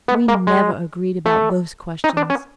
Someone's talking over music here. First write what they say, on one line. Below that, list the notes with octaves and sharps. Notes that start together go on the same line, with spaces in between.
We never agreed about those questions.
B3
A#3
G#3
A3
D#4
D4
C#4